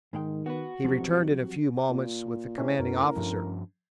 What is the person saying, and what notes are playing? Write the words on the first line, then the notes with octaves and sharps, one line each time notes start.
He returned in a few moments with the commanding officer.
G#2 D#3 G#3 G5
B3 F#4 B4
E1 F3 F#3 C4 G4
A#2
A2 C3 C#4
F#2 A#4
G2 F3